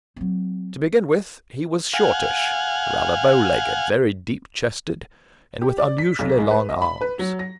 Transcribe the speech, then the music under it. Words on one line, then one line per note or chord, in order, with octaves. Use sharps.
To begin with, he was shortish, rather bow-legged, very deep chested, and with unusually long arms.
F#3 C4
F5 F#5 G#5
G4
D5
B6
B1
G#3
B4
D#5
B5
B4
F#3
A#6